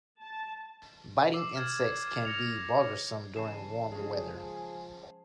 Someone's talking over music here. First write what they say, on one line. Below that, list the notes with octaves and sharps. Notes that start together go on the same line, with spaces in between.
Biting insects can be bothersome during warm weather.
A5
D6 E6 C7
F6 G#6 A6
F6 A#6 C#7 F7
C#3 E3 G#5 A5 C7 E7
C#3 F3 G#3 G#4